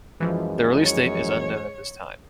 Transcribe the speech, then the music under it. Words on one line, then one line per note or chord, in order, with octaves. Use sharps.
The release date is unknown at this time.
F#2 E3 F3 G#3
C#5